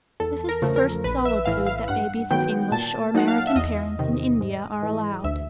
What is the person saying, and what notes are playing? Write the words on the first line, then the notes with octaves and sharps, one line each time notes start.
This is the first solid food that babies of English or American parents in India are allowed.
E2 A4
A#4
C#3 F3 A3
A#4
A#1 B4
E5
A2 E3 F5
F5
G2 F#5
D#3 F#3 B3 G5
A#2 A5
F#3 A#3 D#4 F#5
F5
F5
E5
E2 D#5
C3 D#3
G#2
E3 G#3
D2 E5